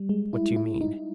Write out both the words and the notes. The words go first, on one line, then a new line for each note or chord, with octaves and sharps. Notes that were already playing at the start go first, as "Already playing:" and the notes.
What do you mean?
Already playing: G3
G#3
E4
E4
D#4